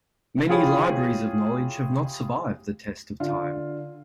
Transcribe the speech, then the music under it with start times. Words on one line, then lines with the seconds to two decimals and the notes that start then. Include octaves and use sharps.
Many libraries of knowledge have not survived the test of time.
0.48 E4 F4 G4 G#4 C#5 B5
3.20 D3 F4 F5